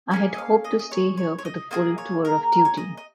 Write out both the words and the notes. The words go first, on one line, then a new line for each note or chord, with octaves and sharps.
I had hoped to stay here for the full tour of duty.
A#3 C#4 G#4 G#5
D#5
F5
D#5
D#5
C#5
C#5
C#5
D#5
A#3 F4 G#4 D#5
C#5
A#4
A#4
C#5
D#5
D#5